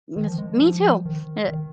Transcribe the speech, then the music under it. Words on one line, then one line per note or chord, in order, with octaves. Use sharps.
jus Me, too! Eh,
D#3
F3
G#3
F3
D#3
D#3